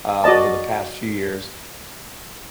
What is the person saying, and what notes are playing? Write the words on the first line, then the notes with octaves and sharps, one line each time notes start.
uh, over the past few years,
F#4 D5 D#5 A5